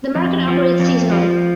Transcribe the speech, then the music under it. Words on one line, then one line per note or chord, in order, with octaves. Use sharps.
The market operates seasonally.
F2
F3
F2
F3